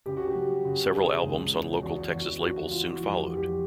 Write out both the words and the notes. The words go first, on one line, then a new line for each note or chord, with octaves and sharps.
Several albums on local Texas labels soon followed.
C#3 G4
F#4
G4
F#3
C#3
C#3 G#4
C#2
C#3
E2 F#4
E2 F#4
E2 F#4
E3 F4
F#4
F2
G4
F2
G4